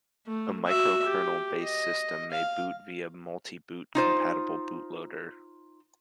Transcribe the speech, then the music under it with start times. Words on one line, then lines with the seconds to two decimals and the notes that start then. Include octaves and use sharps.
A microkernel-based system may boot via multiboot compatible boot loader.
0.27 A3
0.66 F#4 E5
1.07 G4
1.62 D#5
2.31 F5
3.95 D#4 F4 C5